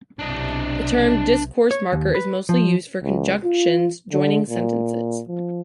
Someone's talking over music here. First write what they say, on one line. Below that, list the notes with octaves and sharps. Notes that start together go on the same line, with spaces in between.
The term "discourse marker" is mostly used for conjunctions joining sentences.
B1 C3 D4 D#5
C#5
D#2
B4
F3
C#2
F4
D3
A#2
F3